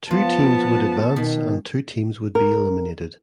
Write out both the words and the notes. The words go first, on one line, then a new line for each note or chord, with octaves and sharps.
Two teams would advance and two teams would be eliminated.
F3 B3 F4 A5
B2 D#3
A#4